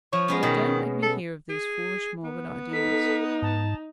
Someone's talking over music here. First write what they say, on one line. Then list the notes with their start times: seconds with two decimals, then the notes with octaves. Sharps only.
So don't let me hear of these foolish morbid ideas.
0.13 F3 C#5
0.28 G#3 B3 C#4
0.43 B2 D#3
1.02 A4
1.49 G#4
2.24 B3
2.73 D#4 A4 B6
3.42 G#2 A5